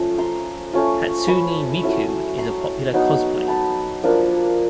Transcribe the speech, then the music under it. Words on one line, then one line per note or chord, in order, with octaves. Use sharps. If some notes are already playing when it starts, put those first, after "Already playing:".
Hatsune Miku is a popular cosplay.
Already playing: F3 A3 C#4
A#5 C6
A3 C#4 F4
B5 C#6
F#3 A3 C#4 E4
A#5 C6
F#3 B3 D#4
A5 B5
F3 A#3 D4 F4